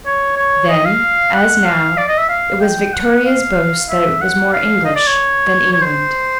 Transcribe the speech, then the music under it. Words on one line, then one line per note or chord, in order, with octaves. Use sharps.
Then, as now, it was Victoria's boast that it was more English than England.
C#5
C#5
D#5
F5
F#5
F5
D5
D#5
E5
F5
G5
F#5
F5
E5
F#5
F5
D#5
D5
C#5
C#5
C5